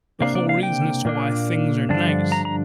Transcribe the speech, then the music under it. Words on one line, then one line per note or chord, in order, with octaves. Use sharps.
the whole reason as to why things are nice.
C3 A#3 D4 F5
D5
F5
G5
A#2 A#3 D4
G2 D3 F3 D4
A#5
A#5